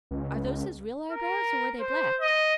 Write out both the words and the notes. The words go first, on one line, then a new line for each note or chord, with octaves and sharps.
"Are those his real eyebrows or were they blacked?"
C#2
A#4
C5
D#5